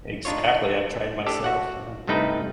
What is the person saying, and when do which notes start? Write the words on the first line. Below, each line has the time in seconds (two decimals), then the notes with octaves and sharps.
Exactly. I've tried myself. Yeah.
0.25 D4 D#4 F4 C#5
1.27 D4 G4 A4
1.44 F#4 F#5
2.07 C2 G2 A3 D#4 B4 G5